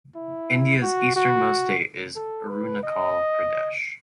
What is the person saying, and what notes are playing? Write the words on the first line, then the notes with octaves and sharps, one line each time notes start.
India's eastern-most state is Arunachal Pradesh.
E4
F#4
F#4
A4
B4
D#5